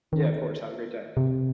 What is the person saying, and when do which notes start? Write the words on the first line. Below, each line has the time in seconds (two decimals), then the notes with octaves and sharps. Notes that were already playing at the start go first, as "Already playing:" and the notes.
Yeah, of course, have a great day.
0.13 D#3
1.17 C3